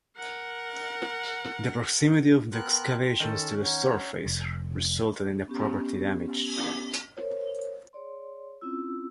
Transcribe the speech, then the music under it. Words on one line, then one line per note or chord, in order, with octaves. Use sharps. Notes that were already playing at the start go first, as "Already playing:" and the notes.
The proximity of the excavations to the surface resulted in the property damage.
A#4 F#5
B3 A#4 G5 A5 C6 F#6
D#3 C#4 A4
C#5 F#5 A#5
F1
B3 C#4 G4
A#4 C5 C#5
G#4 C#5 D5 C6
C4 C#4 E4 F4 E6